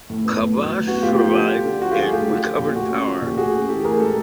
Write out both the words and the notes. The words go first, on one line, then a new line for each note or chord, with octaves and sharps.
Chavash survived, and recovered power.
A2
B3
A2
F#3
A2
B3 F#4
A2 F4 G4
F3 F4 G4
D3
A3
D3
F3 F#4
F4 G4
D3
F#4 G#4
A3 F4 G4
D3
F3
A#2
A3 F#4
C#4
F3
A#2 G4
A3 F#4 G#4
C#4
E3 G4 A4
A2 G#4 A#4
G#3 G4 A4